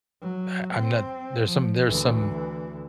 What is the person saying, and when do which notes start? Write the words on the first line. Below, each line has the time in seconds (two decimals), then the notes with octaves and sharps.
uh, I'm not there's some there's some,
0.22 F#3
0.73 C4
1.44 F3
1.87 D2 E3